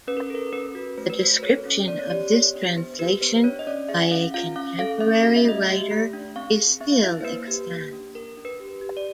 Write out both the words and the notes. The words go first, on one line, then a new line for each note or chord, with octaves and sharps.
The description of this translation by a contemporary writer is still extant.
C#4 B4
A#4
A4 A#4
C#4 B4
F#4
A3 C5
B4
F#4 C5
C5
A4 C#5
C#4
B3 D5
C#5
G4 D5
B3 C#5
D4
B3 C5
G4 B4
B3 C5
D4 C#5
D#5
C#4 D5
G#4 E5
F#5
C#4 F5
F4 F5
C#4 F5
A4 F5
C#4 E5
F#4 F5
E5
A3 D#5
E5
G4
A3
D4
C4 F5
G#4
C4 E5
F5
E4 E5
C5
A#3 B4
G4
A#3
D4
D4 A#4
D4
B4
G4
G4
D5